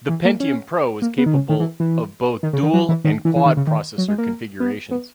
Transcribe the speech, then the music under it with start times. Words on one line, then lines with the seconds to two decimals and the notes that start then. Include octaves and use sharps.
The Pentium Pro was capable of both dual- and quad-processor configurations.
0.09 E3
0.25 A#3
0.40 C#4
1.02 A#3
1.18 B3
1.26 D#3
1.34 C#3
1.49 D#3
1.60 E3
1.80 E3
2.43 D#3
2.53 C#3
2.63 D#3
2.74 F#3
2.89 E3
3.05 D#3
3.25 E3
3.36 E3
3.46 D#3
3.57 C#3
3.67 D#3
3.98 F#3
4.08 G#3
4.18 A#3
4.60 B3
4.91 B3